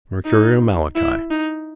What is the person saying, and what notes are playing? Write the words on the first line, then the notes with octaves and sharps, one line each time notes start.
Mercurial Malachi.
D#4
E4
D#4